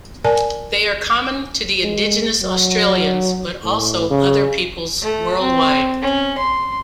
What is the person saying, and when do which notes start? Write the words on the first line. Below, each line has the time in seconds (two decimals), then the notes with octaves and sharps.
They are common to the Indigenous Australians but also other peoples worldwide.
0.25 A#4 D5 G#5 A5
1.83 G#3
2.42 F#3
3.64 A2
4.10 C#3
5.02 A3
5.41 C4
6.02 C#4
6.38 C6